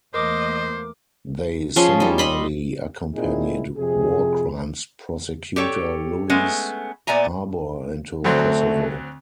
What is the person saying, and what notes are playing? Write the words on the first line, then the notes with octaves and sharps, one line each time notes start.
They similarly accompanied war crimes prosecutor Louise Arbour into Kosovo.
E2 A3 A#3 A#4 C5 D#5 D6
F3 C#4 G#4 C6
G3 D#4
D#4 D#5 B5 C6
A#2 C4 D#4 E4 G#4
F2 C3 G#4
G4 A4 C#5 G5
G#3 A3 B3 C#4
A#2 B3 D5 E5 G#5 A#5
D2 F#3 A3 C4